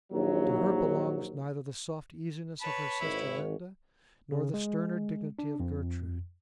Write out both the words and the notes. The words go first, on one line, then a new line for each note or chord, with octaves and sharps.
To her belongs neither the soft easiness of her sister Linda nor the sterner dignity of Gertrude.
A#1 D#2 F#3
B4 C#5 A5 B5
G#1 E4
C#3
G#3
D4
F2